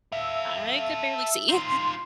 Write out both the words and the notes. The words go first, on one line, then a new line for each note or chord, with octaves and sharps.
I could barely see.
A4 E5 F5
D#4 F4 C6